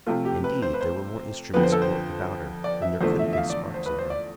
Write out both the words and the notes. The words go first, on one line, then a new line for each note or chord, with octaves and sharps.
Indeed, there were more instruments at work about her than there could have been sparks in her.
C3 F3 A3 F4
G4
B4
C5
B4
C5
F2 D3 F3 B3 B4
C5
A4
C5
D5
E5
E2 D3 F3 A3 C5
E5
E5
F5
D5
C5
B4
C5
D5